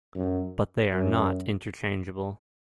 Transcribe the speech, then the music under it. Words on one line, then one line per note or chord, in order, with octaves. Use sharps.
But they are not interchangeable.
F#2
F#2